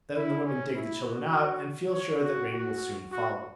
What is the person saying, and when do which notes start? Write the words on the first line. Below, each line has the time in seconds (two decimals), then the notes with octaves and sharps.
Then the women dig the children out and feel sure that rain will soon follow.
0.16 E4
0.46 C#4
0.75 E4
1.05 F#4
1.93 C#5
2.23 F#4
2.53 F#4
3.12 F#4